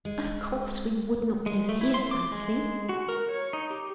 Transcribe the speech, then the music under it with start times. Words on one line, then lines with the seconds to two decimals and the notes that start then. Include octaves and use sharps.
Of course we would not live here, Fancy.
0.05 G#3
1.46 G#3
1.69 A3
1.81 E4
1.94 C6
2.11 D6
2.32 G#3
2.89 F#4
3.09 A#4
3.29 C#5
3.53 D#4
3.71 G4